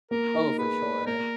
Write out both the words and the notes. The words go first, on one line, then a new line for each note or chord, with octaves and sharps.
Oh, for sure.
A#3 A#4
D#4
G#4 B4
D5
A#3 A#4